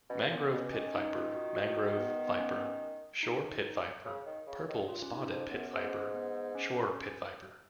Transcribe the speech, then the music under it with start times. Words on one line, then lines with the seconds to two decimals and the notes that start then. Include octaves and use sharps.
Mangrove pit viper, mangrove viper, shore pit viper, purple-spotted pit viper, shore pitviper.
0.09 B2 C#4
0.31 A#2 B3
0.52 B2 C#4
0.72 D#3 C#4
0.87 C#4
0.94 D#4
1.14 F4
1.35 F#4
1.56 F#4
1.97 B3
2.27 B3
2.39 C#4
3.23 D#4
4.05 C#3
4.26 D#3
4.47 C#3
4.69 D#3
4.88 F4
5.03 C#4
5.10 D#4
5.30 F2 C#4
5.51 F#2 B3
5.72 G#2 C#4
6.14 B3
6.55 C#4